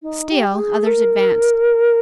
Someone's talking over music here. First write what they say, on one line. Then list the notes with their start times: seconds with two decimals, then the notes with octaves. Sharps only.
Still others advanced.
0.02 D#4
0.31 G4
0.58 G#4
0.86 A#4